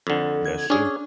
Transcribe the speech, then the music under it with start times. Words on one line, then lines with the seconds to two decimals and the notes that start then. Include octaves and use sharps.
That's true.
0.07 F2 D3
0.46 G#6
0.70 C#4 D4 G#4